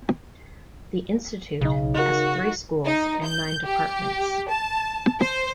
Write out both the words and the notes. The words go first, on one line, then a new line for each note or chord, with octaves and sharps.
The Institute has three Schools and nine Departments.
B1 C#3 D#4
D#4 F#4 A#4
D#4
G6
G4
A5
C5